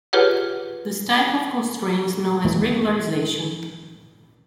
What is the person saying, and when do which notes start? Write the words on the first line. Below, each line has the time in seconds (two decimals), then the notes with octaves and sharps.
This type of constraint is known as regularization.
0.13 F4 G4 G#4 B4 C#5 F#5
2.45 D#2 E3 G#3 A#3